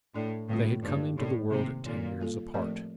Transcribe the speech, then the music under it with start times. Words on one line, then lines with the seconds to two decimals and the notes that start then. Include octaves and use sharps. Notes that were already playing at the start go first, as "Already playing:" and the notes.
They had come into the world ten years apart.
0.15 A2 A3 D4 A4 D5
0.49 A2 D3 G3 C4 F4
0.83 G2 D#3 A#3 D#4
1.18 A2 A#3 D#4 G4 A#4 D5
1.51 C3 D#3 A#3 D#4
1.86 A#2 D#3 A#3 D#4 A4
2.20 G3 A#3 F4 A4
2.54 A2 F3 C4 G4 A#4 D5